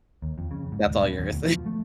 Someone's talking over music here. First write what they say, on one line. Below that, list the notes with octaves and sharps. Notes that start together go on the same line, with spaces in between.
That's all yours.
D#2
F2
C#3
G#2
D#1
B2
E2
D2
B2
F3
A3